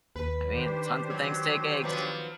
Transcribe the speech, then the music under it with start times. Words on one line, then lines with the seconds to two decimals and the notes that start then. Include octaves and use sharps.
I mean, tons of things take eggs.
0.16 D#2 B4
0.54 D#3 D4 G4 C5
1.10 F#3
1.82 F3 F#3 B3